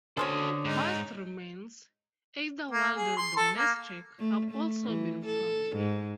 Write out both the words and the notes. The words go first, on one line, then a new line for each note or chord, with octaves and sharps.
Horse remains, either wild or domestic, have also been found.
D3 C#4 F#4 A4 C5 C#5 D#6 F6
G#2 D#4
A#3
G#4
C6
A4
A#3
A3
A3
E3
A4
G#2